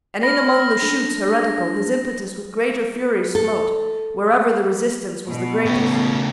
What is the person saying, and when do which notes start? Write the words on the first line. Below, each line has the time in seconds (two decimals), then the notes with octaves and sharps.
And in among the shoots heretical His impetus with greater fury smote, Wherever the resistance was the greatest.
0.23 B5 F6 A#6
0.82 D4
3.35 A4
5.28 B2
5.65 A2 C#3